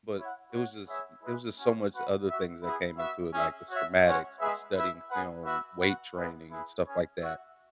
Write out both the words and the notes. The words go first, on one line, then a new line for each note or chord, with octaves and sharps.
but it was just it was just so much other things that came into it, like the schematics, the studying film, weight training, and stuff like that.
E4 C#5 F#5
F#4 C#5 F#5
B3 G#4 C#5 E5
G#3 E4 G#4 B4
C#4 F#4 C#5
F#4 B4 F#5
F#4 E5
B3 E4 G#4
B3 F#4 E5
C#4 G#4 E5
F#4 C#5 E5
G#3 C#4 F#4 C#5 F#5
G#3 B3 G#4 B4 E5
E4 B4 E5
B3 G#4 B4 F#5
F#4 B4 E5
F#4 B4 F#5
G#3 B3 E4 B4
E4 G#4 B4
C#4 G#4 C#5
F#4 E5